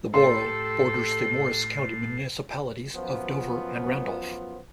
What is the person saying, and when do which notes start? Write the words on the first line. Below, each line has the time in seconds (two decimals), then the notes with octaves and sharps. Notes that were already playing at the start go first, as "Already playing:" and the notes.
The borough borders the Morris County municipalities of Dover and Randolph.
0.14 A2 G4 A4 C6 C7
2.95 F#2 F3 B3 F4 C5